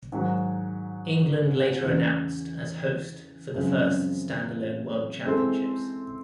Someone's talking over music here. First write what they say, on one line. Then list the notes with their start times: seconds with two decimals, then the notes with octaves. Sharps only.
England later announced as host for the first standalone world championships.
0.12 G#2 D#3 F#3
1.82 E2 C#3 E3
3.54 F#2 C#3 F3 G#3 C4
5.24 G#3 C4 E4 A4 C5